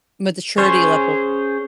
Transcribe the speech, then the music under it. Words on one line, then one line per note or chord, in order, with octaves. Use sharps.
Maturity level.
C#4 G#4 C5 C#5